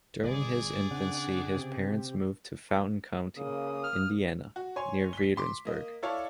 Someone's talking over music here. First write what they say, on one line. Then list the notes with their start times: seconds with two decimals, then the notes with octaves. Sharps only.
During his infancy his parents moved to Fountain County, Indiana, near Veedersburg.
0.23 G1 G#4 D5
0.91 C#3 C4 D4 F#5
1.56 C3 G4
3.37 C#3 A#3 D#6
3.84 F6
4.56 F#4
4.76 C#5 G#5 C6
5.13 B6 G7
5.37 C6 D6
5.65 A#3 D#5
6.03 E4 A4 C#5 D5 F5